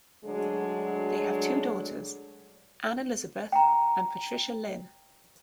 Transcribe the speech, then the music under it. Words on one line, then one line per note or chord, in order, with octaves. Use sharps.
They have two daughters, Anne Elizabeth and Patricia Lynn.
D2 F#3 G#3 D4
G5 A#5